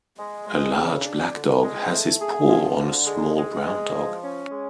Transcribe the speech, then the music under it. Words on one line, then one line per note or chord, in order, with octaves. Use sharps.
A large black dog has his paw on a small brown dog.
G#3
G#3
C#3
D4
D3
G#3
A3
G#4
F3
D3
G#3
G#3
G#3
F3
C#4
G#3